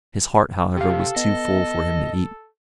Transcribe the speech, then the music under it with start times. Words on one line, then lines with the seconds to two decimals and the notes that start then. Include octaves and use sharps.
His heart, however, was too full for him to eat.
0.77 C3 G4 A4 F5
1.16 B3 D#5